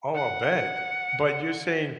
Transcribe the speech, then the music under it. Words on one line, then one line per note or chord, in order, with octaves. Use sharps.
Oh, I'll bet. But you're saying
F#5 C#7